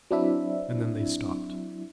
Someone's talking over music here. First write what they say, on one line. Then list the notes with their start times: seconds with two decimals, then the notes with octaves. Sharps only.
And then they stopped.
0.11 F#3 C4 D4 E4 E5